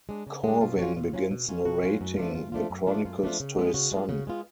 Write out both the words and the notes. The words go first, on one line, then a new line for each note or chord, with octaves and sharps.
Corwin begins narrating the Chronicles to his son.
G#3 D4
C#3
G#3 D4
B2 F4
F#3 C#4 F4 F#4
B2 F4
F#3 C#4 F4
B2
F#3 C#4 F4
B2 F#4
F#3 C#4 F4
F#2
F3 A3 D4 F4
F#2 F4
F3 A3 D4 F4
F#2
F3 A3 D4 F4
F#2 F4
F3 A3 D4 F4
C#3
G#3 B3 F4
C#3 F#4
G#3 B3 F4
C#3 F#4
G#3 B3 F4